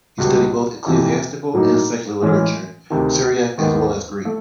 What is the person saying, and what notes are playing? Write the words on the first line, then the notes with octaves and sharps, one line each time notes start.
He studied both ecclesiastical and secular literature, Syriac as well as Greek.
C#2 B2 G3
F2 C3 E3
A2 F#3 A#3 D#4
A2 E3 G#3 C#4
D2 C3 D#3
D#2 D#3 G#3 B3
A3